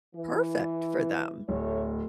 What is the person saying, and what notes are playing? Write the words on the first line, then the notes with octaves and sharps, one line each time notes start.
perfect for them,
E3
D1 A3 C#5